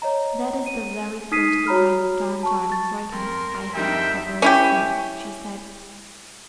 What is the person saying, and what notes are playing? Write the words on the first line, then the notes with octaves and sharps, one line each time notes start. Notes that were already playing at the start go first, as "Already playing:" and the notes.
"That is the very first line of John Jardine's writing I have ever seen," she said.
C#5 D#5 A#5
D#7
D#4 D#6 F6 B6 C7 D#7
F#4 C#5 A#5 B5 F6
A5 C#6
A6
F2 A#4 C6
F2 G3 D4 D#4 A#4 E5 G5
C#4 E4 G4